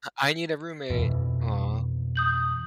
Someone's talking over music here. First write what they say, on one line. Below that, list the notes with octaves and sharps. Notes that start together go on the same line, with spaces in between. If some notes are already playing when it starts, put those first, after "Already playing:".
"I need a roommate." Aw.
F2 B2 E3
D#6 G6 F#7